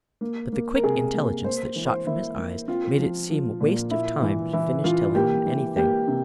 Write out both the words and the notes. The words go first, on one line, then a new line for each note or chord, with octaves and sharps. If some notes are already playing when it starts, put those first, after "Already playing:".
But the quick intelligence that shot from his eyes made it seem waste of time to finish telling him anything.
A#3
A#3
A#4
C3 G#4
A#3
A#3 C5
E3
C5
A#3 E4
A#3
C4 F4
F3
F3
A#2
A#3 E4
E3
E3 E4
E3 F4
A#3 G4
E3
A#3 G4
C3